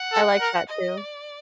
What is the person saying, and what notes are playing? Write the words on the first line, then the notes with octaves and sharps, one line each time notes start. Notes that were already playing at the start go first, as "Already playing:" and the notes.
I like that, too.
Already playing: F#5
A4
A#4
D#5
D5